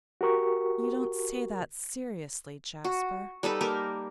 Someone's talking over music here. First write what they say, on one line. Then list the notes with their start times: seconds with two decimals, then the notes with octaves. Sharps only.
'You don't say that seriously, Jasper?'
0.21 F#4 G4 A#4 C#6
2.84 F#4
3.43 G3 D#4 A4 B4
3.61 A#3 G4 A#4